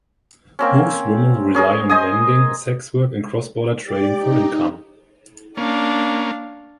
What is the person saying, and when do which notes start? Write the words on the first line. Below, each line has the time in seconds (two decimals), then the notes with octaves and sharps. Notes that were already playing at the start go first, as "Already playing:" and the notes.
Most women rely on vending, sex work and cross-border trading for income.
0.59 A#3 C4 C#4
1.54 C#4 G#4 A#4
1.89 C5 D#5 G#5 D#6
3.85 G4 D5
4.17 D#4
5.57 A#3 C#4 D4 F5